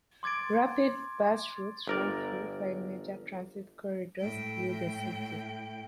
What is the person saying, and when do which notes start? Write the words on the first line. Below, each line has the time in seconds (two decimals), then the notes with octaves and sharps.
Rapid bus routes run through five major transit corridors through the city.
0.23 C6 D6 G#6 A6 D7
1.87 G1 A#4 D5
4.20 A2 G5